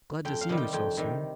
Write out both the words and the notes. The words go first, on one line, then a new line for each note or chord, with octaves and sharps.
Glad to see you so soon.
F2 G5
F5
C3 D#3 G3
G5
F2 G5
C3 D#3 G3